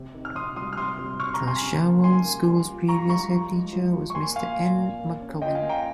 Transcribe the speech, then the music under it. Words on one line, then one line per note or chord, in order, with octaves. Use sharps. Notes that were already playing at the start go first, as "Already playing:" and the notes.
The Cherwell School's previous headteacher was Mr N McGowan.
Already playing: C3
D#3
F6
C3 C6 D#6
G3 C6 D#6
F6
C3 C6 D#6
G3
C3 C#6 F6
A#5 C#6
C3
G#5 C6
C#3
A#3
G3 G#5 C6
A#3
G3
F4
F4 A#5 C#6
G3 A#5 C#6
F3
G#3
F3
F3
C#6
A#3 G#5 C6
A#2 F5 G#5
A#2
A#2
A#3
C#4
F4 D#5 G5
F5 G#5
A#3
G5 A#5